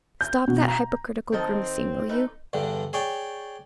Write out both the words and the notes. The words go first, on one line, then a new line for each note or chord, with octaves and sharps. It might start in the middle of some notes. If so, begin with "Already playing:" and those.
Stop that hypocritical grimacing, will you.
G6
B2
A#5
D#3 C4 A4 D#5
A3 D#4 B4
E2 G2 D3
G#4 C#5 D5 G5